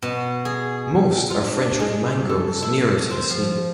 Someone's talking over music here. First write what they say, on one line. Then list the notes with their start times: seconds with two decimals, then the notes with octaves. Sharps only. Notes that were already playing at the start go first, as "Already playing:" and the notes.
Most are fringed with mangroves nearer to the sea.
0.02 B2
0.45 G#4
1.30 F4
1.47 D4
1.80 G#3
2.10 G2
2.29 A4
2.62 E4
3.10 C4
3.30 F3